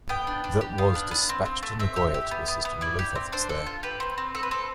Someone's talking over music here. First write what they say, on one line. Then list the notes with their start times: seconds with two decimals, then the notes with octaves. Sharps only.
The was dispatched to Nagoya to assist in relief efforts there.
0.09 B3 G5
0.27 D4
0.44 D4
0.61 G4
0.78 B3 F5
0.95 D4
1.11 B3
1.29 C4
1.46 C4
1.63 A3
1.79 C4 E5
1.96 G4
2.14 G4
2.31 B3
2.48 B3
2.65 B3
2.81 E4 D5
2.99 G4
3.15 C4
3.32 D4 C5
3.49 A4
3.66 F4
3.83 G4 B4
4.00 C4
4.18 C4
4.35 C4 A4
4.43 B4
4.51 C4 A4